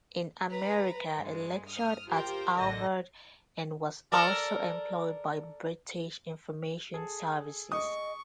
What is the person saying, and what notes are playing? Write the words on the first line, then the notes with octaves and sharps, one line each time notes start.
In America he lectured at Harvard and was also employed by British Information Services.
B4 A#5 B5
G2 G#3
D#6 F6
F4 G4 A#4 C5 G5
A1 D3 D#5 A#6
A4 A#4 D5
G#4 A4
D#5 C#6 D#6